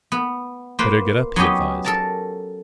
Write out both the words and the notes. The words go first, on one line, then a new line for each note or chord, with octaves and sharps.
"Better get up," he advised.
B3
A#3 F4 B4 C5
F#3 B3 C#4 G4 D#5
A4 A#4 A5